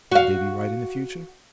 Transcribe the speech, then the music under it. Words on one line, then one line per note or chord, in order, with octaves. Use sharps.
Would they be right in the future?
F#4 F5